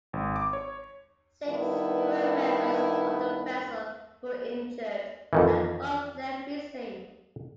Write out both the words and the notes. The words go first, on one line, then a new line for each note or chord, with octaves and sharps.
Six crew members of the vessel were injured and one left missing.
G#1
D6
C#5
G2 D#3 B3 E4
F2 D#3 E3